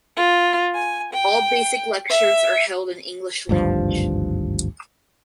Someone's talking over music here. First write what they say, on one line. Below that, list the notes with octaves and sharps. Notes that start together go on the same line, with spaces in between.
All basic lectures are held in English language.
F4
G#5
G5
E5
G#1 D2 G2 F3